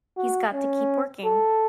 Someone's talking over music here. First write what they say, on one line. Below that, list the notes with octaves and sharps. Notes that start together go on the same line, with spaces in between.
He's got to keep working.
F#4
C#4
A4